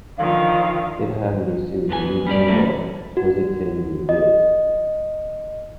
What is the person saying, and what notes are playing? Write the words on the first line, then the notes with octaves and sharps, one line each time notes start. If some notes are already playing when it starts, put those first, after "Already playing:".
It has received lukewarm to positive reviews.
D3 D#3 F3 F5
F2 B3 G4 G#5
G3 C#4 G4 D5
G3 A3 A#3 C#4
F#4
D#5